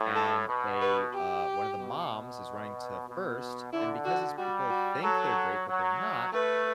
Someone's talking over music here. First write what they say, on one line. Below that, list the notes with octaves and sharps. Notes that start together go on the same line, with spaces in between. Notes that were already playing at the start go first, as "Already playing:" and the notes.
and they, uh one of the moms is running to first, and because these people think they're great, but they're not,
Already playing: A2
A4
B2
B4
G4
B2
B2
D3 E4
F#4
G3 F#4
F#4
F#3 A4
F#3
A3 B4